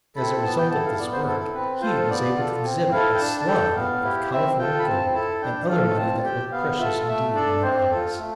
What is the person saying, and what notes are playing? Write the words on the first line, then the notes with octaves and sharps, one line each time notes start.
As a result of this work, he was able to exhibit a slug of California gold and other money that looked precious indeed in our eyes.
C4 E4 A4 B5
B3 A5
G5
E4 A4 A5
F5
B3 D5
C5
E4 A4
A4
C4 B4
F4 A4 C5
B3 D5
F4 A4
C4
E4 A4 F5
G5
D4 A5
A5
A4 G5
B3 F5
E4 G4
C4 E5
F4 A4 G5
B5
C4 A5
E4 A4 A5
D4 G5
F4 A4 F5
C4 A5
G4 G5
B3 F5
F4 A4 E5
A3 E5
D4 A4 D5
C4 C5
F4 A4
A3